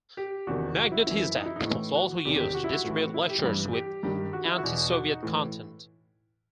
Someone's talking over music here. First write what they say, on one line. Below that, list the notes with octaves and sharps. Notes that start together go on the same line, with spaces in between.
Magnitizdat was also used to distribute lectures with anti-Soviet content.
G4
E2 C3 D#3 F#4
F#4
E4
F#2 E3 E4
D#4
E4
D#4
A2 E3
F#4
E2 C3 D#3 G4
G4
F#4
E4
F#4
A2 E3
E4
G4
G2 E3
G4
G2 D#3 G4
F#4
E4
F#4
E2 B2
F#4
D#4
A2 E3